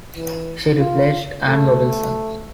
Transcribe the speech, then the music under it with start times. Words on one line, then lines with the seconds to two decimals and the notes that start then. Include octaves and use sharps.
She replaced Anne Robinson.
0.16 E3
0.78 F4
1.47 A3